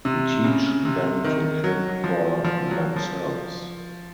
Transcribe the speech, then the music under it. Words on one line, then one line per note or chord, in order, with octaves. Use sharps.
We teach them to think for themselves.
C3
C#3
C3
D#3
F#3
F3
F3
F#3
F3